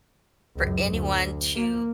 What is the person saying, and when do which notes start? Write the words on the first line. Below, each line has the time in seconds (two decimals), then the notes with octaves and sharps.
for anyone to
0.56 C#2 F#2
0.90 D2
1.56 A#3